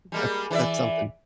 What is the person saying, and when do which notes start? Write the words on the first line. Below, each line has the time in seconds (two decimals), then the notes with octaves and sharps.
That's that's something.
0.12 G3 G#3 A#3
0.51 E3 D5 E5